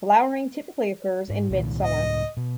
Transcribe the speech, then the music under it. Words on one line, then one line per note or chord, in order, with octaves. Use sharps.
Flowering typically occurs in mid-summer.
G#2
C2 A#2 D#3
C#2 A2 D#5
B2